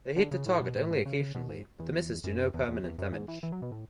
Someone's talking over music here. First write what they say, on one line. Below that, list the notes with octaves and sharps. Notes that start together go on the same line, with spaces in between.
They hit the target only occasionally but the misses do no permanent damage.
D3
C#3
A2
B2
A2
G#2
C#3
B2
G#2
E2
F#2
E2
E2
E2
F#2
G#2
E3
E3
F#3
B2
A2